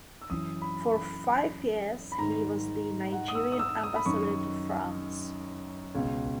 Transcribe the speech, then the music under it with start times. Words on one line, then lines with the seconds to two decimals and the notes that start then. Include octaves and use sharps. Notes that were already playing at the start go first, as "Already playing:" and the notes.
For five years he was the Nigerian Ambassador to France.
0.22 E6
0.30 F#2 E3 D#6
0.62 B5
0.93 B5
2.12 B5
2.18 G#2 D#3 A#5
3.12 F#5
3.28 D#6
3.35 E6
3.52 D#6
3.59 E6
3.83 D#6
3.96 B5
4.06 F#2 D#3 C#6
5.95 C#2 B2